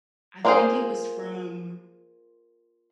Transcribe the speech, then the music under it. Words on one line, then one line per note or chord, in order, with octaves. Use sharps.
I think it was from,
A#3 D4 F4 G#4 C5